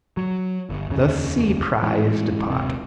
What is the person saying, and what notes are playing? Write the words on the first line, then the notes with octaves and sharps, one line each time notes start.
"The Sea Prize Department."
F#3
G1
F1 D#2 C#3
G#2 E3
D#1 C3